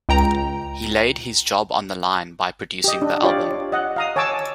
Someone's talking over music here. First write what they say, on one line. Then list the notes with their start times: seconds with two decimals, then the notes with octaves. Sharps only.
He laid his job on the line by producing the album.
0.09 C#2 G5 A#5
2.84 G4 D#5
3.02 D4
3.23 F4 G4 C#5 D5
3.72 D#5 F#5
3.96 F5 A#5 D#6
4.16 C#5 G#5 A5 D6 E6